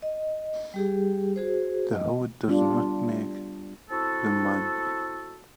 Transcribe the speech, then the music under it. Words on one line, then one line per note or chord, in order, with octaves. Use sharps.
The hood does not make the monk.
D#5
G3 G4 G#4
F#4 G#4 C5
D#5
G3 B3 D4 F4
C4 E4 F#4 A4